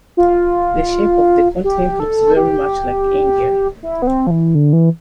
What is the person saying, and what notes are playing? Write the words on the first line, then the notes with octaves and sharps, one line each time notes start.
The shape of the continent looks very much like India.
F4
G4
A4
G4
E4
B3
C4
F3
E3
D3
E3